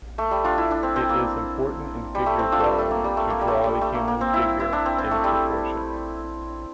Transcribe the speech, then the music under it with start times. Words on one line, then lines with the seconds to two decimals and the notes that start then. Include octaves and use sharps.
It is important in figure drawing to draw the human figure in proportion.
0.18 A3
0.31 G3
0.44 D4 F4
0.58 E4
0.71 D4
0.83 C4
0.96 C4
1.10 A#3
2.15 G3
2.26 A3
2.39 C4
2.52 D4 F4
2.60 A3
2.65 G3
2.78 A3
2.91 A#3
3.04 G3
3.17 A3
3.30 A#3
3.41 G3
3.48 A3
3.64 G3
3.81 A3
3.94 A#3
4.08 A#3
4.21 C4
4.34 E4
4.60 E4
4.73 D4
4.85 C4
4.98 C4
5.11 A3
5.24 G3